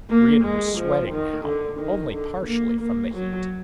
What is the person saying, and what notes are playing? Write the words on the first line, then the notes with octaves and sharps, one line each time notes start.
Brion was sweating now, only partially from the heat.
A#3
G#3
F3
D#3
D3
D#3
D3
A#3
A#3
F#3